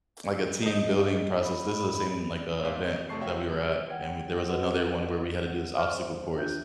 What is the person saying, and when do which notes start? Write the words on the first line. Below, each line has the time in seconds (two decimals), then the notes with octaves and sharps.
like a team building process this is the same, like, uh, event that we were at, and we there was another one where we had to do this obstacle course,
0.62 D#4 A4 D#5
1.43 B5
2.63 A1 G#2 E5 F5
2.85 C#5 D#5
3.09 E2 C3 A3 A5 C#6 C7
3.21 F#4 C#5 E5 F5 G5
3.47 B2 G3
3.90 F#5 G5 G#6
4.49 F#4 B4 D#5 F#5
5.46 F#5
5.77 C5 E5 F5 C6 C#6 F6
5.97 C5
6.35 D4 F4 E5 F#6 G6